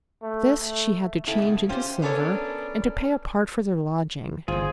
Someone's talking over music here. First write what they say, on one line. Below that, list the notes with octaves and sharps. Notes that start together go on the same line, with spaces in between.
This she had to change into silver and to pay a part for their lodging.
A3
A3
C#3 C4 E4 A4
G#2 B2
C#4 F4 G4 C5
B3 C#4 D4 A4 A#4 C#5
G1 E2 G#2 F4 G#4 C5